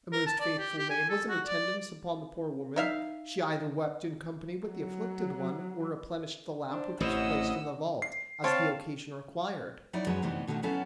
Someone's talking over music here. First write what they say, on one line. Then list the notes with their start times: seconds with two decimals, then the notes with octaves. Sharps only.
A most faithful maid was in attendance upon the poor woman; she either wept in company with the afflicted one or replenished the lamp which was placed in the vault, as the occasion required.
0.12 A#4
0.26 A5
0.40 D5
0.59 G4
0.78 G4
0.90 G#5
1.09 A4
1.28 F#4
1.47 D5
2.76 D#4 E5 F5
4.68 F#3
6.71 D4 C5
7.00 A1 C3 E4 C5 C#5 D#5 F#5 E6
8.02 C7
8.44 C4 C#5 F5 A5
9.93 F#3 D#4 E4 D5
10.07 F#2 F#3 G#3 B4 A#5
10.22 D2 C3 E3 B3 D#4
10.47 B2 D3 D#3 G#3 A3
10.62 F#3 B3 C#4 E4 A4 F5